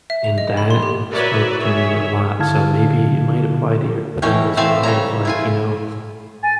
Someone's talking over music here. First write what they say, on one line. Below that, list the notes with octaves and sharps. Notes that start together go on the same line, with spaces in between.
and that spoke to me a lot, so maybe it might apply to your husband as well of, like, you know,
E5
F7
D#5
B5
C6
G4
F#4 A#4 B4 C#5 D5 E5
G#4 C#5 E5
D3 E4 F5 A5 F6 G#6
B2 E3 C#4 E4 C#5 G5
E3 A3 C4 E5 F5 A5
C#3 G3 C#5 A#5
E4 F4 G#5
G#5 A6